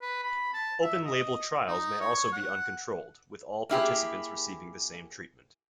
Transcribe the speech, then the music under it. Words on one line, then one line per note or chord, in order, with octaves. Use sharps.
Open-label trials may also be uncontrolled, with all participants receiving the same treatment.
B4
B5
A5
E5
D#5
D#4
C#5
F#5
A#3 E4 G4 G#4